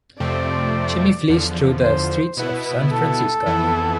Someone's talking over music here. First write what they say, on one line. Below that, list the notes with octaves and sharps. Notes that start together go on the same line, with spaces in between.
Jimmie flees through the streets of San Francisco.
F2 C3 F3 A3 C4 D5
E2 D3 F3
C5
B2 B3 E4 B4
A4
F2 E3 B3 E4